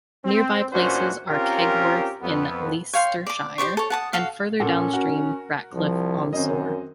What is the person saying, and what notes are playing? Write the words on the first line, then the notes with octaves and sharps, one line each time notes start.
Nearby places are Kegworth in Leicestershire and, further downstream, Ratcliffe on Soar.
C4
E2 A#2 C#4 D4 F#4 C5
C4 C#4 F4 G4 A#4
F2 B3
C#5 F5 G5 C6
D5 D6
G4 C5 D5 C#6
A4 C#5
F#5 A5 D#6
F#4 A4 F5
A#2 C#4 A4 F#5
F#4 A#4
C2 F3
F#2 D#3 C4 C#4 D#5